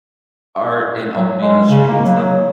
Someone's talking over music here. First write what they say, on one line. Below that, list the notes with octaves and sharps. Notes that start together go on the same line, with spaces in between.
Art and also, you know, the streaming stuff,
F#3
G#3
C#3
A#3
F#3